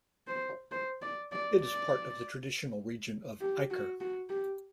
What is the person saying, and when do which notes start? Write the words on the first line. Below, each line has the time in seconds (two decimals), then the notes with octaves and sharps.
It is part of the traditional region of Eiker.
0.27 C5
0.71 C5
1.02 D5
1.32 D5
1.61 D5
3.40 G4
3.70 F#4
4.00 F#4
4.29 G4